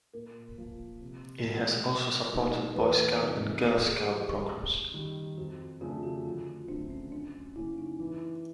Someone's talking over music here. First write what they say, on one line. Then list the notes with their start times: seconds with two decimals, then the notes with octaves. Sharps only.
It has also supported Boy Scout and Girl Scout programs.
0.14 A#2 A#4
0.58 F3 A#3
1.01 C3
1.45 E3 G#3 B3
1.89 B2
2.32 G3 A#3 D#4
2.76 E2 B4
3.19 C3 F3 A#3 D#4 A#4
3.63 A2 A4
3.85 G#4
3.98 G#4
4.06 E3 G3 G4
4.29 G#4
4.50 F#2
4.94 D#3 G3
5.37 F2 F#4
5.81 C#3 F3 A3 D4 F4
6.03 F#4
6.25 D3 F4
6.47 F4
6.68 F#3 A3 C4 D4
6.90 C#4
7.12 F#2 D4
7.56 C#3 F#3 A#3 C#4 E4
7.78 D#4
8.00 E3 E4
8.21 E4